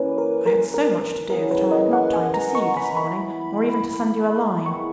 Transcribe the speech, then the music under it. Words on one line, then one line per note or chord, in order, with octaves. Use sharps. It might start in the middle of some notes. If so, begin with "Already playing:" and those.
I had so much to do that I had not time to see you this morning, nor even to send you a line.
Already playing: F#2 E3 A#3 C#4 B4
A#4
A#4
A#4
A#4
C#3 E3 B3 A#4
B4
D#5
F#5
G#5
A#5
C#6
B5
E3 B3 E4 B5
D#3 G#3 B3 E4 C#6